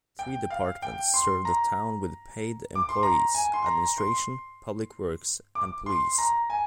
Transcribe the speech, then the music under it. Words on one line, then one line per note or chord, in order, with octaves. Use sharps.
Three departments serve the town with paid employees: Administration, Public Works, and Police.
G5
F5
G5
C6
A#5
D6
C6
A#5
G#5
C6
A#5
C6
D6
C6
A#5
G#5